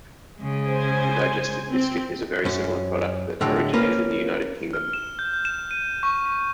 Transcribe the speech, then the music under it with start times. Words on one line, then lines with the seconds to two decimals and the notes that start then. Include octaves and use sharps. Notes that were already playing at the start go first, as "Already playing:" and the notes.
The digestive biscuit is a very similar product that originated in the United Kingdom.
0.39 C#3 G#3
0.69 C5 G#5
1.70 C4
2.45 F#2 C#4
3.41 A2 D3 F#3 G#3
3.73 A#3 C#4 B4
4.73 F6
4.93 E7
5.19 G6
5.33 G6
5.45 E7
5.71 D#7
6.03 C#6
6.26 C#6